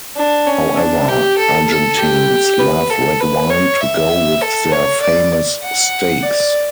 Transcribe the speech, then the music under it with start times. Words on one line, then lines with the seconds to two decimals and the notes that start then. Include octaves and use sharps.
However, Argentines love red wine to go with their famous steaks.
0.17 D4
0.47 C#4
0.77 D4
1.08 G4
1.38 A4
1.68 A4
1.98 G4
2.59 B4
2.90 A4
3.20 B4
3.50 C#5
3.81 E5
4.41 A4
4.72 C#5
5.02 D5
5.63 F#5
6.23 D5